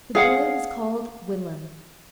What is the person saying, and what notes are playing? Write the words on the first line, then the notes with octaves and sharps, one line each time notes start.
The boy was called Willem.
G#4 F5 F#5